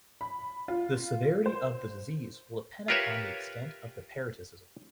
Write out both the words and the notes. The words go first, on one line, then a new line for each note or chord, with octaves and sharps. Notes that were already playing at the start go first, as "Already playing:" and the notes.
The severity of the disease will depend upon the extent of the parasitism.
B5
F4
C5
F4 G4 A#4 B4 C#5 E5